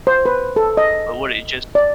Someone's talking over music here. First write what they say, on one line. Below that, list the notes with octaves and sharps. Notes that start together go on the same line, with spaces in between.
but would it just
C5
B4
A4
D#5
D5